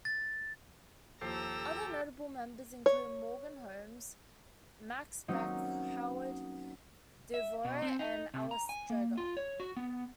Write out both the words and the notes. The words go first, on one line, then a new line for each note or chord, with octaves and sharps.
Other notable members included Morgan Holmes, Max Beck, Howard Devore and Alice Dreger.
A6
D#2 F3 G4 A4 A#5 E6 C7
C#5
F#3 A#3 C4 C#4 D#4 C#5
E5
B2
C4
D#4
C3
A#5
G#5
A#3
F4
C#5
F#4
B3